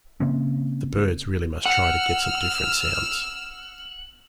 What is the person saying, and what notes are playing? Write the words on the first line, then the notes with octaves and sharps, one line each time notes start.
The Byrds really must try to get some different sounds.
C#3 A#3 C4 C#4
F#5 E6 F6